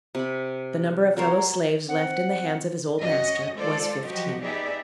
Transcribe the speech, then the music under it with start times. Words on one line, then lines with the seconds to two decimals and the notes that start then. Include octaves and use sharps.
The number of fellow-slaves left in the hands of his old master, was fifteen.
0.15 C3 B5
1.17 F#3 A#4 C5 C#5
1.89 C4 F#5
2.99 F#2 C#4 F#4 D#5
3.54 G#3 F4 A4 C5 D5
4.04 F3 F#3 F#4 G4 D#5
4.43 B3 D#4 G4 G#4 D5 E5